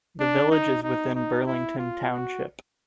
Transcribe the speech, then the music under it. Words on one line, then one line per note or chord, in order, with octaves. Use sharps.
The village is within Burlington Township.
D4
D#4
D#4
D#4
E4
F4
F#4